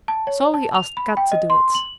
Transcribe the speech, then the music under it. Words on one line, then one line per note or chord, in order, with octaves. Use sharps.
So he asked Kat to do it.
A5
C#5
A5
F7
B5
G5
D#5
C6
F#7